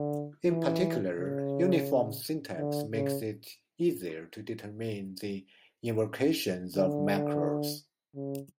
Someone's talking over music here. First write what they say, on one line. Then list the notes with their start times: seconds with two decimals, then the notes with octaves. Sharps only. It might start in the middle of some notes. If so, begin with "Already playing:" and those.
In particular, uniform syntax makes it easier to determine the invocations of macros.
Already playing: D3
0.49 E3
1.19 C#3
2.58 D3
2.93 C#3
6.75 D3
8.16 C#3